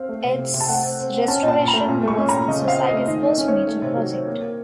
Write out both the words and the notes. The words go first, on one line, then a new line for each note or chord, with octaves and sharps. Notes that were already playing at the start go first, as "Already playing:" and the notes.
Its restoration was the Society's first major project.
Already playing: C4 F5
A3
C3
C3
C3
A5
A3 F#5
C4
C4
C4
C#4 A5
A#2
A5
A#2
A#5
A3
A#2
A3 C#6
C#4
A#2 A#5
C#3 D#5
C4
F5
C4
A3 D#5
D#3 D#5
D#3 D#5
C#4
D#3 C#5
A3
C3
F#3
C4
A#3
A#3